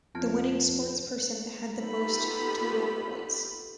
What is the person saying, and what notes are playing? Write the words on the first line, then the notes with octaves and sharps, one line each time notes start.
The winning sportsperson had the most total points.
F2 B3 F4 A5
B3 D#4 F4 G4 A4 B5